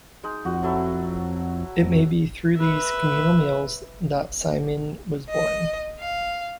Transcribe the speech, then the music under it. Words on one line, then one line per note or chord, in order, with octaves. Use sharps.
It may be through these communal meals that saimin was born.
G#3 D#4
F2 F#4
F#3 A3 E4
F2
B4 E5
D#5
F5